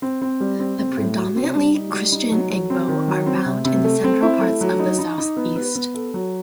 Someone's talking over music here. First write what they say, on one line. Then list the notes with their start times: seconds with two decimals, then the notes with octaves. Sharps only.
The predominantly Christian Igbo are found in the central parts of the southeast.
0.02 C4
0.22 C4
0.40 G3
0.60 C4
0.79 C4
0.97 A2
1.17 F#4
1.36 C4
1.55 G3
1.74 D#4
1.93 G3
2.12 D#4
2.32 F#3
2.50 F#3
2.70 C4
2.88 D#3
3.08 F#3
3.26 C4
3.46 C3
3.65 C3
3.84 A3
4.04 C4
4.23 E4
4.41 A3
4.61 F#3
4.79 D#4
4.99 D#4
5.18 D#4
5.37 B3
5.56 B3
5.75 B3
5.94 A4
6.14 F#3